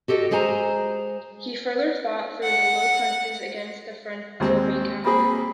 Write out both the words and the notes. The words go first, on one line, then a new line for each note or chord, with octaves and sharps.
He further fought through the Low Countries against the French before being captured.
F#4 G4 A4 D#5
G#3 G#4 C5 G#5 A#5
F#5
D#2 G#3 C4
A#3 C4 G#4 B5